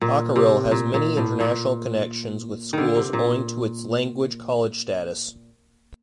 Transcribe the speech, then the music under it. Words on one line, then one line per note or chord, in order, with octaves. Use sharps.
Hockerill has many international connections with schools owing to its Language College status.
A#2
C3
A#2
A#2
A2
A#2
D3 D#3
C3
A#2